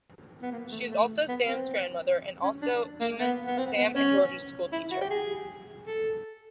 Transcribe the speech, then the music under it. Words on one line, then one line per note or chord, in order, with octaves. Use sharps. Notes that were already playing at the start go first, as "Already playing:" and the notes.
She is also Sams grandmother and also Emus, Sam and Georgia's schoolteacher.
B3
A#3
A3
A3
B3
C4
C#4
D4
A#3
B3
B3
C4
B3
C#4
E4
F#4
G4
G#4
A4